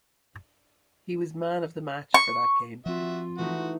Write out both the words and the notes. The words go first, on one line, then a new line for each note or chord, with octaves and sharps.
He was man of the match for that game.
C#6
F3 C4 F4 F#4 E5
E3 A3 D#4 F#4